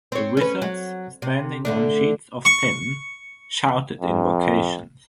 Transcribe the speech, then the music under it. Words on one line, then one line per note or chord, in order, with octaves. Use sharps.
The wizards, standing on sheets of tin, shouted invocations.
C4 C#5
C#4 B4
F#3
C3
D3 A3 D4
C#6
F2